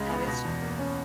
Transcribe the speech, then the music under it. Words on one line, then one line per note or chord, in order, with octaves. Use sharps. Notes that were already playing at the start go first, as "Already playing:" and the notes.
That is true.
Already playing: C#2 C#3 G#3
B3
B2
E2
A#3
C#4